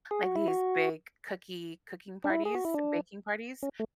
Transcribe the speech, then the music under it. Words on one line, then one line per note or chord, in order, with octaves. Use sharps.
like, these big cookie cooking parties, baking parties.
G#4
F#4
E4
F#4
D4
E4
G#4
F#4
E4
D4
C#4
A3